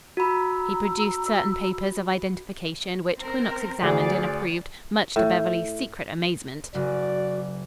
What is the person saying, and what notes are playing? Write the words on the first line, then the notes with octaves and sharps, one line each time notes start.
He produced certain papers of identification which Quinnox examined and approved, much to Beverly's secret amazement.
F#4 A#5 B5 E6
C4 A#4
D2 G#4 D5
A2
F#1 F#4 D5